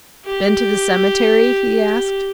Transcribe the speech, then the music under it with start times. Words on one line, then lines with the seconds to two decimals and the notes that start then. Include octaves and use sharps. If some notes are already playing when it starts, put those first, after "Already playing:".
"Been to the cemetery?" he asked.
0.25 G4